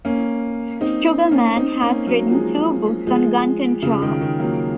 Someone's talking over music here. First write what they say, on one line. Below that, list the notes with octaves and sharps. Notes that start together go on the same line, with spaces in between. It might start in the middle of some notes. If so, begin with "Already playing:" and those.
Sugarmann has written two books on gun control.
A#3 C#4
C4 D#4
A#3 C#4
C4 D#4
A#3 C#4
F#3 A#3
F3 G#3
F3 G#3
C#3 F3
D#3
D#3
F#3 A#3